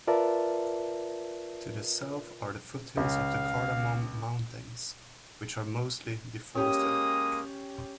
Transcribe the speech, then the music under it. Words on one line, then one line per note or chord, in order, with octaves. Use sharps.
To the south are the foothills of the Cardamom Mountains, which are mostly deforested.
F4 A#4 B4 D5 E5 A5
C#2 F5
G#3 A#3 C#4 G4 D#6